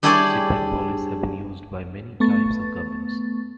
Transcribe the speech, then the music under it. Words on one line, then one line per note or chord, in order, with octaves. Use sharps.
Secret police have been used by many types of governments.
G3 D4 E4 G#4 C#5 D5
A3 B3 C#6 A6